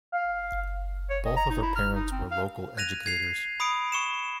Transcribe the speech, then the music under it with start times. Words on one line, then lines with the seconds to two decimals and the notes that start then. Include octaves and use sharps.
Both of her parents were local educators.
0.12 F5
1.10 C#5
1.25 D#5
1.37 A#5
1.50 D#4
1.62 E4
1.76 F6
1.95 D#4
2.12 C4
2.31 F5
2.77 F#6 G#6 A#6 D#7 F7
3.06 G#6 C7 F7
3.60 B5 D#6 C#7 D7
3.92 C#6 C#7 E7